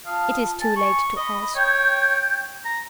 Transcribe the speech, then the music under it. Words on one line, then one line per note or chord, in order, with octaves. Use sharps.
It is too late to ask.
F4 F5 A5 D#6
G#5 A5
C#6
D#5 B5
C#5 G5 G6 G#6
A#5